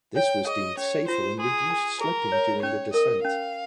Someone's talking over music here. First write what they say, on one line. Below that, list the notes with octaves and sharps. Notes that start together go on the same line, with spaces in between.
This was deemed safer and reduced slipping during the descent.
C#5 G5
G#4 D#5
C#4 C#5
F4 C5
G#4 C6
G#5
G#4 A#4
C#5
C#4 C#5
A#4 D#5
C#4 F5